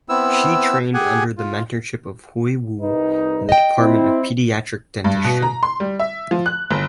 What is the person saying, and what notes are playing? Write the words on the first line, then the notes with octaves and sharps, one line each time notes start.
She trained under the mentorship of Hui Wu in the Department of Pediatric Dentistry.
B3 C4 E4 E6
G4 G#4 F#5 G#5
F4
C2 D#4 B4
D#5 G5
C4 E4
G2
B2
A#5
C6
G3
E5
F3
F#6
G1